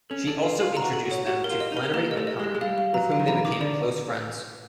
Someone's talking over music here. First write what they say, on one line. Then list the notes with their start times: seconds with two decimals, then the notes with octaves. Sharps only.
She also introduced them to Flannery O'Connor, with whom they became close friends.
0.10 C#4 A4
0.27 D4 A4
0.43 F4 A4
0.60 F4 A4
0.77 A#5
0.82 F#4
0.93 A4
1.06 F#4
1.11 C#5
1.27 F#4 G4
1.44 A#4
1.50 F4
1.60 D#5
1.72 D#4 A#4
1.94 A#3 G4
2.11 D#5
2.17 A3
2.27 D#5
2.39 G#3 G4
2.55 G#3
2.61 G3 F5
2.78 F5
2.94 F#3 A#5
3.12 F5
3.20 D#3
3.27 E3 A#5
3.45 D#3 D6
3.61 D3 D5